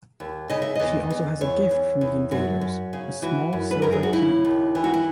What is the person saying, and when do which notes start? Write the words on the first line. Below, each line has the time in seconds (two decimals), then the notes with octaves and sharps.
She also has a gift from the Invaders - a small silver cube.
0.20 D#2
0.50 C#3 D#5
0.62 E5
0.75 E2 D#5
1.10 E2
1.41 E2 C#5
1.71 E2
2.01 E2
2.31 F#2 F#4
2.61 F#2
2.93 C#3
3.22 E3 F#4
3.53 F#2
3.71 B4
3.82 F#2 A#4
3.92 G#4
4.03 F#4
4.13 C#3 E4
4.45 D#2
4.75 E3
4.84 F#4
4.94 E4